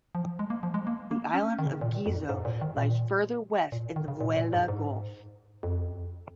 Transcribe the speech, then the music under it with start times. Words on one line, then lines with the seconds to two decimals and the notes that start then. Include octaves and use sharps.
The island of Gizo lies further west in the Vella Gulf.
0.15 F3
0.39 G#3
0.50 A#3
0.63 F3
0.74 G#3
0.87 A#3
1.11 A#3
1.34 C#4
1.59 D#3
1.66 C#3
1.81 A#2
2.06 F2
2.29 G#2
2.45 A#2
2.61 D#3
2.77 A#2
3.72 A#2
3.96 D#3
4.08 C#3
4.21 A#2
4.37 A#2
4.53 G#2
4.68 G#2
5.63 F2